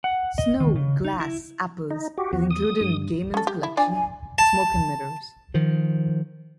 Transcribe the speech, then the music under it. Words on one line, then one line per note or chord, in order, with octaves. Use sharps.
"Snow, Glass, Apples" is included in Gaiman's collection, "Smoke and Mirrors".
F#5
D#5
D#3
C#3
D#4
E4
D#4
F#4 G4
E2 F#4
D#6
G2
C#4 A4
G4
E4
F3 D4 D5 G#5
G#5
A5
D#3 F3